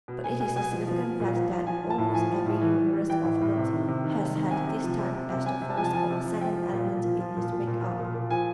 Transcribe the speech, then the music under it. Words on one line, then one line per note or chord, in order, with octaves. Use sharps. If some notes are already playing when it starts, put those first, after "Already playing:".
But it is a significant fact that almost every humorist of note has had this type as the first or second element in his makeup.
B2
B2 G#5
B2 G#5
B2 G#5
F3
F3
F3
A#2
F3
F3
F3 G#5
F3
A5
A2
F3 G#5
F3
A2
E3
E3
E3
E3 G5
A2
A2
C3
D#3
C3
D#3
C3
D#3
C3 G#5
C3
F3
C3
C3
C3
C3 G#5
C3
A5
F3 G#5
A5
F3 G#5
C3
F3
F3 G5
F3
A#2
A#2
F3
F3
A#2
A#2
A#2
F3
A#2
A#2
F3 G#5